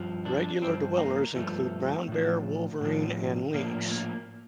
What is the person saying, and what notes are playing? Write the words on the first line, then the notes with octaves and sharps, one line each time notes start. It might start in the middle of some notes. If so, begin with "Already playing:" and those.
Regular dwellers include brown bear, wolverine and lynx.
Already playing: G2 F3
D4
G2 F3 C4
A#3
G2 F3 A3
A2 F3
A2 F3
A2 F3 A#3
A#3